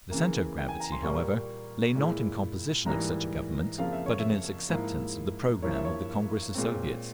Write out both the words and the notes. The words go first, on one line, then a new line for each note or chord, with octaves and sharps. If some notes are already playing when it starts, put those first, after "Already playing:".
The centre of gravity, however, lay not in composition of such a Government, but in its acceptance of the programme of the Congress of Soviets.
C#3 E3 A#3
G5
G#5
A#5
C6
A#2 G3 A#3 C#6
A#2 G#3 E4
G#2 E3 G3 A#3 E4 A#5
F2 C#3 F3 A#3 F5
E5
C#5
E5
G#2 F3 A#3 E4
G2 F3 A#3 E4 C#5
E5
C#5
A#2 G#3 C4